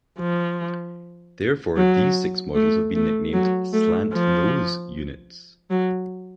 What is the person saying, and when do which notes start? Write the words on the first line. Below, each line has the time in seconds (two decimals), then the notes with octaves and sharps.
Therefore, these six models have been nicknamed "slant nose" units.
0.19 F3
1.77 F#3
2.55 A3
2.95 A3
3.33 F#3
3.73 A3
4.13 F3
5.70 F#3